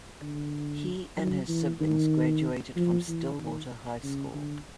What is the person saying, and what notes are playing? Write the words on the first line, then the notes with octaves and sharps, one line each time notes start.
He and his siblings graduated from Stillwater High School.
D3
F#3
E3
D#3
F3
E3
D#3
C#3
D3